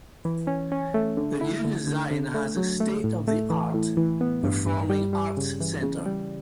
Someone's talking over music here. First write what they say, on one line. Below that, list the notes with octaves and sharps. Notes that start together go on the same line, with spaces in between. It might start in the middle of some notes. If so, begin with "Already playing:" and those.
The new design has a state-of-the-art performing arts center.
E3
C#4
C#4
A3
D3
E4
D3
D3
D3
A3
F#3
A3
A2
A3
E3
A2
E3
B3
G2
G2
G3
G3
C#3
E3
C#3
G3